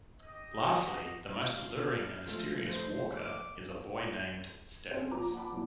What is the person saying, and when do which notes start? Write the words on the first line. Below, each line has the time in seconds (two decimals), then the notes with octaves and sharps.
Lastly, the most alluring and mysterious Walker is a boy named Stebbins.
0.21 G4 D#5
0.61 F#4 B4 D6
1.47 F5
2.26 F3 G#3 A3
2.68 C5
3.16 D6
4.91 C4 C#4 G#4 C5
5.11 A#1 F3 B4 A#5 D6
5.34 F#5 A5 B5 D6
5.52 B1 E2 A2